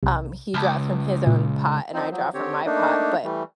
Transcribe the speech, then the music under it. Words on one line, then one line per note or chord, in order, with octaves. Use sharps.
um, he draws from his own pot and I draw from my pot, but
B1 C3
C#2 A5 B5 F6
A#2
F3 C4 D#4
F3 F#3
D3 C4 G4 C#5
A3 A#3 D4 D#4
E3 G3 A3